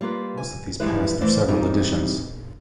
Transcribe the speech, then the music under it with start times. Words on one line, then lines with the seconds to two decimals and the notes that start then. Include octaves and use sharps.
Most of these passed through several editions.
0.01 G3 A#3 F4 B4
0.37 G#5
0.80 E3 F3 G3 G#3 E4 B4
1.21 E3 A3 C5 D5
1.48 G#2 E3 G3 C4 D#4